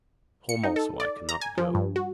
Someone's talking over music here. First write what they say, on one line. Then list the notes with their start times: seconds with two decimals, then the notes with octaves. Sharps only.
Home also I cannot go.
0.49 C#7
0.63 D#4
0.76 A4
1.00 D5
1.29 A#5
1.41 G#5
1.58 F3
1.75 G2
1.96 F#4